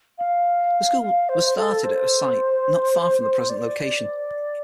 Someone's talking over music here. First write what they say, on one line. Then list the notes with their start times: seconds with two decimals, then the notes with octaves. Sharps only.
The school was started at a site not far from the present location.
0.18 F5
1.02 F5
1.29 C5
1.57 A4
1.84 C5
3.49 D5